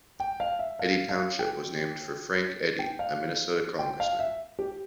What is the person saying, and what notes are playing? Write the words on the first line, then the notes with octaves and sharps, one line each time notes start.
Eddy Township was named for Frank Eddy, a Minnesota congressman.
G5
F5
E5
F5
F5
G5
G5
F5
G5
F5
E5
G4